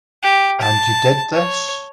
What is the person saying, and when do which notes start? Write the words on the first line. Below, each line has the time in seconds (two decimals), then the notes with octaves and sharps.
And you did this?
0.22 G4
0.61 A5
1.34 C#5